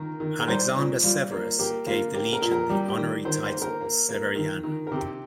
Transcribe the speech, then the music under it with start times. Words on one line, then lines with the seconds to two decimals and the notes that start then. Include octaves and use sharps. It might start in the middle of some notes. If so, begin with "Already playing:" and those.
Alexander Severus gave the Legion the honorary title Severiana.
Already playing: D#3 A#3 A#4
0.20 D#3
0.40 A#4
0.48 G3 C5
0.76 A#2
1.04 G3 F4
1.31 A#3
1.59 A#3 G4
1.87 A#3 F4
2.14 A#3 G4
2.33 A#4
2.42 A#2
2.51 A#4
2.70 G3 G4
2.88 G4
2.97 D#3
3.25 D#3 C5
3.44 C5
3.53 A#3
3.62 A#4
3.81 A#3
4.09 A#3
4.35 D#3
4.63 D#3
4.87 A#4
4.92 C3 G4